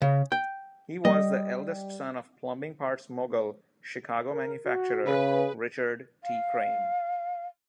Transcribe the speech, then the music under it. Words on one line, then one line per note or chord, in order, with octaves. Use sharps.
He was the eldest son of plumbing parts mogul, Chicago manufacturer, Richard T. Crane.
C#3
G5
G3 D#5
A#4
F#4
C#3 G#4 B4
F5